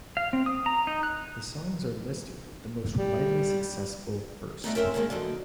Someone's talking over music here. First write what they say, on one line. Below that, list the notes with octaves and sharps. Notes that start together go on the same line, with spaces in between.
The songs are listed with the most widely successful first.
F5
C4
D#6
A#5
D#4
F#6
G3
G3 A3 B3 D#4
F2 C4 C#4 A#4 E5
A2 D3 D#3 G3 G#3 A#3
D3 F3 F#3 D#4